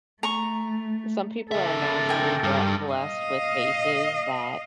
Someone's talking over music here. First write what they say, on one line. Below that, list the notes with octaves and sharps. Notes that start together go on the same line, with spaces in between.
some people are naturally bre blessed with faces that,
A3 A#5 C#6
C#3 A4 A#4 E5
G5 G#5
G2
D#5 F5